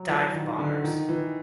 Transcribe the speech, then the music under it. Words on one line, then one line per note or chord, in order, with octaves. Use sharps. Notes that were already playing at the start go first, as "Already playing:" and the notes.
Dive bombers.
Already playing: F#3
E3
D#3
D3
D#3
E3